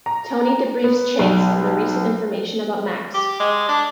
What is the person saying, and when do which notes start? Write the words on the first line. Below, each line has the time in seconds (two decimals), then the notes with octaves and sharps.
Tony debriefs Chase on the recent information about Max.
0.06 A#5
0.84 B3
1.19 B1
3.14 G4
3.40 G#3
3.69 D4